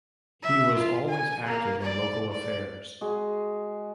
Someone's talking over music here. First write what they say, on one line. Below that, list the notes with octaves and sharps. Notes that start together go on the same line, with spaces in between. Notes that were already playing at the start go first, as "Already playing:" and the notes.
He was always active in local affairs.
E5
F4
G#5
A#3
D5
D5
G#3 F#4 G#4